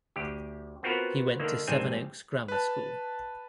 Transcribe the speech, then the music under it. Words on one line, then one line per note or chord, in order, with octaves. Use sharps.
He went to Sevenoaks Grammar School.
D2 G4
B3 C4 F4 F#4 A#4 B4
D3 D#3 A#3
A#1 G#2 G3 C4 G#5
B4 A5